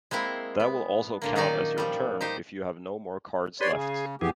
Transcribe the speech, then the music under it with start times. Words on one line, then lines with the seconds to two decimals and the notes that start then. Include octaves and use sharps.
That will also count as your turn if you have no more cards left.
0.11 G#3 A#3 C4 E4
0.60 B3
1.22 A#2 D3 A#3
1.36 D#3 F#3 C#4 D#4 D5
1.78 F3 G3
2.21 D#4 G4 C5
3.61 G4 B4 C#5 D5 C6
3.72 C#3 G#4
4.21 F2 E3 B3 G4 G#4